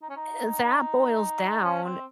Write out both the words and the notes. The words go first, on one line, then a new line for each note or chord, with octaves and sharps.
eh, that boils down
D#4
C#4
D#4
C#4
C4